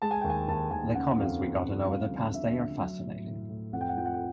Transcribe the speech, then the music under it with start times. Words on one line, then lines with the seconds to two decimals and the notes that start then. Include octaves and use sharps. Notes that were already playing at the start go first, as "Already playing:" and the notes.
The comments we've gotten over the past day are fascinating.
0.02 G#3 A5
0.11 G#5
0.21 D#2 G5
0.30 G#5
0.48 D#2 A5
0.71 D#2 G#5
0.94 C#3 F#5
1.18 F2 F5
1.41 C#3
1.64 F2
1.87 G3 F5
2.11 D2
2.33 D3 E5
2.56 D2
2.80 F#3
3.03 A2
3.26 A2
3.49 A2
3.73 F2 F#5
3.81 G5
3.89 F#5
3.97 F3 G5
4.05 F#5
4.14 G5